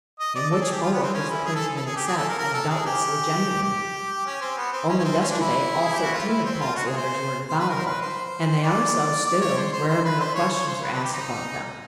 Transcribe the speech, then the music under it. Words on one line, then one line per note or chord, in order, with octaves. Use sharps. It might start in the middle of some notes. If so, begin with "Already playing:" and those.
And which 'four' does the clergyman accept as doubtlessly "genuine?" Only yesterday all thirteen of Paul's letters were infallible, and they are so still wherever no questions are asked about them.
D#5
D5
A4
G#4
G4
F4
B3
C4
C#4
E4
G#4
A4
A4
G#4
G4
G#4
A4
A#4
A#4
A4
G#4
G4
G4
C#4
C4
B3
C4
C#4
C#4
C4
C#4
D4
E4
G#4
G4
F#4
F4
E4
C4
F4
F#4
G#4
C5
C5
B4
A#4
C5
B4
C5
D5
D5
C#5
C5
C5
C5
B4
C5
C#5
C#5
C5
B4
B4
G4
D#4